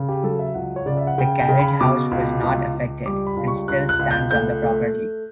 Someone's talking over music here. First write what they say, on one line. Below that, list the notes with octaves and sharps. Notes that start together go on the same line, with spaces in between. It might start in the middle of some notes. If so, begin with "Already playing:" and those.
The carriage house was not affected, and still stands on the property.
Already playing: C#3
G4
F#3 A4
E5
C#2 F#5
C#5
C#3 D5
E5
F#5
C#3 G5
G5
C#3
B5
B2 D6
C#2
C#2
C#2
G3 D6
B5
C#2
C#6
C#2 F#6
F#6
C#2
G6
A3 G6
A3
A3